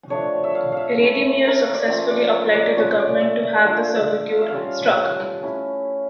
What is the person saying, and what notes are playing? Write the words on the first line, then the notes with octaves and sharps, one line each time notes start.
Rademeyer successfully applied to the government to have the servitude struck.
F3 A3 D4 C#5
E5
F5
E5 F5
A3 C#4 E4
A#4
C#5
D5
F3 C#4 F4 E5
D5
C#5
D5
A3 C#4 F4 C#5
D5
E5
E5
E5
A3 D4 F4 F5
E5
F5
E5
F5
G3 C#4 F4
A3 C#4 E4